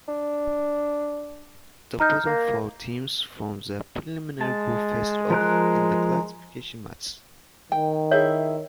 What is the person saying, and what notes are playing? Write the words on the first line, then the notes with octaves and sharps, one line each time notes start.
The bottom four teams from the preliminary group faced off in the classification matches.
D4
D#4 A#5 F6 G6
A#3
G#3 A5
F3 A#4 F#6
D#3 G5
E4 G#4 C#5 E5